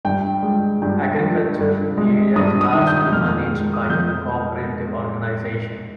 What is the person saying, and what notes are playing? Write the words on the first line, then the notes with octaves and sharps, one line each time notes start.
Agriculture in the area is largely managed by a cooperative organization.
G2 G5
G#3
G2 G5
F3
G2
G#3
G2 D#6
D#6
D#3
G6
F2 F6
G#3
D#6
F6
F2 G6